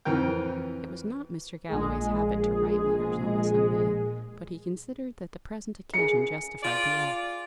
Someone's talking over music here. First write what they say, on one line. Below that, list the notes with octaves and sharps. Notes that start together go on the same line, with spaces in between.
It was not Mr. Galloway's habit to write letters on a Sunday, but he considered that the present occasion justified the act.
F2 E3 C4 A#4 G5
A#1 G#3 G#4
G#4 C#7
F4 D5